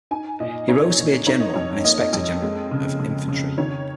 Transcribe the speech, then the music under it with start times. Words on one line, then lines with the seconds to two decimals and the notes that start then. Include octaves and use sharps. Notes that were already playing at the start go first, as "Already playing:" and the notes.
He rose to be a general and inspector-general of infantry.
0.11 D#4 G#5
0.40 A#2 D#5
0.68 D#4 C#5
0.98 A#2
1.27 D#4 C#5
1.40 D#5
1.54 F2 C#5
1.84 A#3 D#5
2.13 F2
2.42 G#3
2.71 C#3
2.99 C#3
3.28 C#3
3.58 D#3 C#5